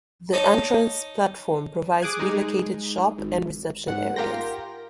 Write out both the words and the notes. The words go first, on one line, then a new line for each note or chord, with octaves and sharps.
The entrance platform provides re-located shop and reception areas.
D#4 C#5 D#5 A5
G#4 D6 D#6 F#6 G#6
G#3 D#4 G#4
G#1
G#2 F#5
F4 G4 A#4 G5 C6 A#6